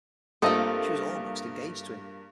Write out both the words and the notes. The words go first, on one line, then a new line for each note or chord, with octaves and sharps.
She was almost engaged to him.
G2 A3 A#3 C4 F4 A4 D#5 D#6